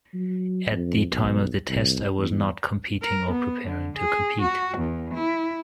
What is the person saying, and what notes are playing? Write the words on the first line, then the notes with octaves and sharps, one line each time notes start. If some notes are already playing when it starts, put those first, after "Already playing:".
At the time of the test, I was not competing or preparing to compete.
F#3
F2
B1
C2
E2
A#4
B3
D3
G#4
F#4
E2
E4